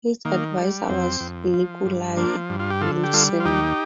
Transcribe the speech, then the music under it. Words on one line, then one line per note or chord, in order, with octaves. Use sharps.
His advisor was Nikolai Luzin.
D#3 A#3
G3
F2 C4
F2
F3
G2
F3 A#3 D4
G2
F4
G4
D3 F4 A4
G4
G3 F4 A4
F4
D#2 D#4 G4